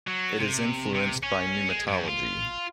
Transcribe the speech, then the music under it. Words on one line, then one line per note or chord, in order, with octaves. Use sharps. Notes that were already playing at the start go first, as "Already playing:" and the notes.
It is influenced by pneumatology.
F#3
C3
C3
C#4
G#3
F#2
F4